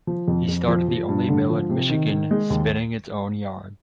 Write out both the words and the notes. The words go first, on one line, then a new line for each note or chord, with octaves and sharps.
He started the only mill in Michigan spinning its own yarn.
F3
F2
F2
F3
F3
G2
D3
F3
C3
D#3
D#3
G#3
D#2